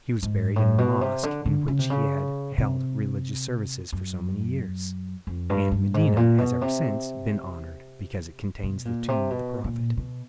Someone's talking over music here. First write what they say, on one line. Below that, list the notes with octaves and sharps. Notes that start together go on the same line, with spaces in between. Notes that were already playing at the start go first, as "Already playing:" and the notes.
He was buried in the mosque in which he had held religious services for so many years; and Medina has ever since been honored, because it contains the tomb of the Prophet.
G#2
A2
B2
C3
D3
D3
C#3
C3
C#3
C3
F#2
F2
G2
G2
G#2
A#2
B2
C3
B2
A#2
C3
B2
A#2
B2